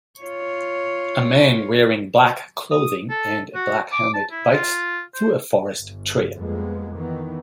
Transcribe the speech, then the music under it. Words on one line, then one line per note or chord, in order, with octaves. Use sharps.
A man wearing black clothing and a black helmet bikes through a forest trail.
F4 C#5
D#6
A4
F#4
D6
A5
E4
F4
C5
G1
F2 G3 G#3 A#3 B3
D#3 E3 B3